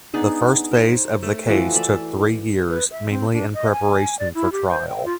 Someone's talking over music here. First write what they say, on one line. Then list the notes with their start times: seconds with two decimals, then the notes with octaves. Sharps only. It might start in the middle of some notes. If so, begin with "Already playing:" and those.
The first phase of the case took three years, mainly in preparation for trial.
0.14 B3 D4 D#4 G#4
0.71 A#4 C5 C#5
1.23 A3
1.47 E3 F3 F#4 A4
1.73 A4 B4 D5 E5
2.70 B4
2.91 E5
3.09 C4
3.33 D4
3.54 D#5
3.72 G#5
4.19 D5
4.35 E4
4.52 G4
4.70 C5
4.88 G5
5.05 F4